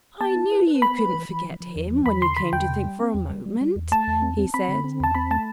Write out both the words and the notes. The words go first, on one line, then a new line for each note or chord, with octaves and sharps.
'I knew you couldn't forget him, when you came to think for a moment,' he said.
B3 A5
E4
B4
B4
B3 B5
B4
E3
E3
F3
F3
E2
F3
E2 B5
D3 C6
D3 B5
E2 G5
C3
G3
C4
E2
G3
G3
G3
E2
A3 A5
E2
C4
C4
C4 B5
D3
C4
E2 A5
C4 B5
A3 A5